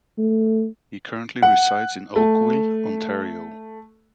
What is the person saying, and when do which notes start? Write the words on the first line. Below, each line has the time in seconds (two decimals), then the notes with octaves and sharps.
He currently resides in Oakville, Ontario.
0.18 A3
1.42 F#5
2.16 A3